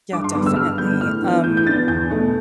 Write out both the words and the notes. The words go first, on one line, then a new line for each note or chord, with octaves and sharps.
yeah, definitely. Um
G2 D6
C6
D3 G3 B3 D6
E6
G2 F6
D3 G3 B3 G6
A2 F6
E3 B3 D4
A2 G6
G6
E3 B3 D4 A6
E2 G6
B2 A3